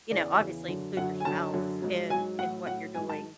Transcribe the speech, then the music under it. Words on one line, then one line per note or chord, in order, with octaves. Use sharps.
you know, obviously include your spouse in in what you're doing
E2 C#3 E3 D5
E2 C#3 E3
F#2 D3 F#3
F#2 D3 F#3 F#5
G#5
F#2 D3 F#3 A5
F#2 D3 F#3
G#2 F#3
G#2 F#3 G#5
A2 F#3 F#5
A2 F#3 F#5
G#2 F#3 G#5
A5